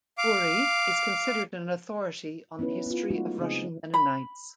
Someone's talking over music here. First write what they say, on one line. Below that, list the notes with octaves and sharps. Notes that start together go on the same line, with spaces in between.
Urry is considered an authority on the history of Russian Mennonites.
F5 D6
B3 C#4 D#4 E4 B4
B3 F4
F#3 G#3 A3 D#4 F4 F#4
C#3 B3 C4 D#4 G#4 D#5
B5